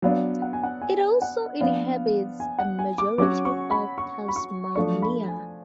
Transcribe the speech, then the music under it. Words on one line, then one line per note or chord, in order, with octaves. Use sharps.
It also inhabits a majority of Tasmania.
F#3 B3 D4 F5
F#5
G#5
F#5
G#5
F#5
F3 B3 D4 F5
G#5
F#5
G#5
D6
F#3 C#4 F#4 D6
C#6
B5
C#6
B5
C#6
F3 A3 D4 C#6
B5
G#5